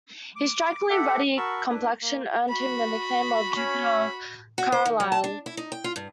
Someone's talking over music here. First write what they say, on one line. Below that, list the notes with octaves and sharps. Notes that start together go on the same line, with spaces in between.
His strikingly ruddy complexion earned him the nickname of Jupiter Carlyle.
D6
G4 A4 E5 F#5
F#4 A#4 A5 B5 C#6 E6
D4 E4 B4 E5
A#3
F#4 B5
C#4
F#4
C5
D#3
F#3
A5
D4
E4
D#4
G5
F4
G2